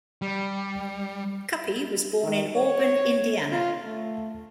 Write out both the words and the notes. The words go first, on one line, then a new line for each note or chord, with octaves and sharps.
Cuppy was born in Auburn, Indiana.
G3
D#3
C#5
F4
A3